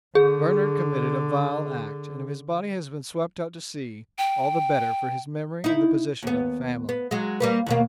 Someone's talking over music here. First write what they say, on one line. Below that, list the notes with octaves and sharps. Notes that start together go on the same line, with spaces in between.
Bernard committed a vile act, and if his body has been swept out to sea all the better for his memory and the position of the family.
D3 G#4
G5
D#4 E4
D#2 B3
B3
F#3 G#3
G3 A#3 B4
D#2 B2 A#3